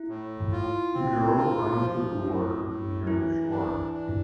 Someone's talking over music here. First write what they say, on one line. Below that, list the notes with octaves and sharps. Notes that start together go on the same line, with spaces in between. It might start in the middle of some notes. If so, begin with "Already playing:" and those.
Girl running through the water near the shore.
Already playing: E4
A2
F4
C4
F4
F3
A2
A2
E3 E4
D4
D4